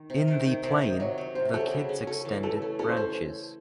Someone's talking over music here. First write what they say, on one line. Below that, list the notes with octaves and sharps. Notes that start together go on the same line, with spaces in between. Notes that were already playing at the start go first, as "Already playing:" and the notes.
In the plain, the kids extended branches.
Already playing: D#3
C3
D#3
D#3
C3
C3
D#5
F#3 C#5
F#3
C3 C5
F#3 A4
C#3 G#4
C#4
C#4 A4
E3
A3 A4
C#4
C#4 A4
C5
C#4 A4